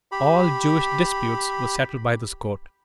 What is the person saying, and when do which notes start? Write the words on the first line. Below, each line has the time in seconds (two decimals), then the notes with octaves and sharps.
All Jewish disputes were settled by this court.
0.12 G4 B5